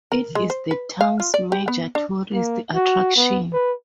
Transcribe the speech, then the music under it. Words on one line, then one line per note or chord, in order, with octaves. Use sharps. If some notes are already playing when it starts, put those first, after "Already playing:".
It is the town's major tourist attraction.
A#4
G#3
C5
B4
F5
F4
D5
G4
B3
D4
A#3
F#4
B3
B4